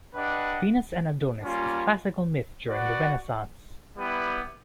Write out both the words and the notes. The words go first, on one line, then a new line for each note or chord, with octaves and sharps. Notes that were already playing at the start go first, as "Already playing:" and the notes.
Venus and Adonis is classical myth during the Renaissance.
D4 G4 B4 D#5 F#5
G3 A#3 C#4 F4
F#4 B4 D5 F#5
G3 B3 E4 G4 B4